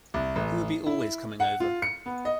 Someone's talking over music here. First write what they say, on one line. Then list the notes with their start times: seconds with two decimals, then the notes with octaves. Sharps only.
He would be always coming over.
0.14 C2
0.36 A1
0.86 E4
1.40 F#5
1.60 F4
1.82 C#7
2.06 B3
2.25 D#5